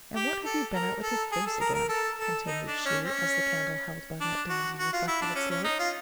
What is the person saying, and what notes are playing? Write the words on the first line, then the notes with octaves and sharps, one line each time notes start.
"And what have you been at with your face again?" continued she, as the candle held by that damsel reflected its light.
G4
A4
A#4
A4
G#4
A4
A#4
A#4
A4
A4
D#4
D4
C#4
C#4
D4
F#4
F#4
F4
E4
D4
C#4
C#4
D#4
F4